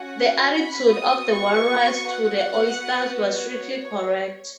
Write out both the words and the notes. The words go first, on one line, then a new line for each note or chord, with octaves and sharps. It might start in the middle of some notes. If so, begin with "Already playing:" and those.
The attitude of the walrus to the oysters was strictly correct.
Already playing: C#4 F#4 F#5
B5
B3 F#4 D#6
C#6
F#5
B3 F#4
C#5